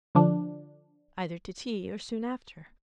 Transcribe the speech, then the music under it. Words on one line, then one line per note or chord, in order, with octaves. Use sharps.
'Either to tea or soon after.
D3 F3 D4